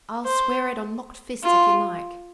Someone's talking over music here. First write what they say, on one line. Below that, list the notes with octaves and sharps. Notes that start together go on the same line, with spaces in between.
'I'll swear it on locked fists, if you like.
C5
F4